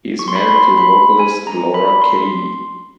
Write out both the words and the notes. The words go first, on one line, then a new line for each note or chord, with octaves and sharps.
He is married to vocalist Laura Kaye.
C#6
C6
B5
C6
B5
G#5
A#5
B5
C6